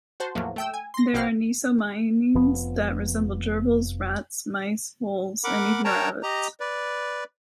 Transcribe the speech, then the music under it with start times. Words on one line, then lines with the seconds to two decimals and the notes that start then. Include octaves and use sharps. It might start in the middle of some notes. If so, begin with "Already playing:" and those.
There are nesomyines that resemble gerbils, rats, mice, voles, and even rabbits.
0.20 F#4 C5 A5
0.35 E2 A2 F3 F#3 A#3
0.56 A3 G5 E6
0.74 G#5
0.94 C6 A#6
1.13 A#1 B2 C4 C5 F#5 F6
2.35 F1 F2 F3 B3
5.44 A#4 F#5 B5 D6
5.85 A#4 C#5 G5 A5 A#5
6.23 G4 D#5 A#5
6.60 B4 D5